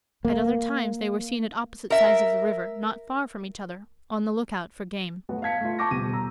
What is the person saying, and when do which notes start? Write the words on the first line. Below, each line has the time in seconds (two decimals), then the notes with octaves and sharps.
At other times they were seen at opposite sides of the river, not far from each other, on the look out for game.
0.25 A#3
1.90 A#4 E5
5.29 F#3 A3 B3 F#4
5.42 F5 A5 G#6 B6 C#7
5.61 A3 F4
5.79 A5 C#6 D6 G6 A#6
5.91 D#1 B2 G4 D#7
6.13 A#5 E6